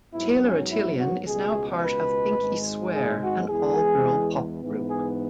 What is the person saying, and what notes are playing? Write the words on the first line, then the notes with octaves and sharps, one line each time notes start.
Taylor Atelian is now part of Pink-E-Swear, an all-girl pop group.
G#2 F#3 B3 E4
C#4
E4
F#4
C#2 B2 G#3 B3 G#4
B4
G#1 G#2 G#3
G#4
F#4
E2 E3 G#3 G#4
G#2 E3 B3
G#4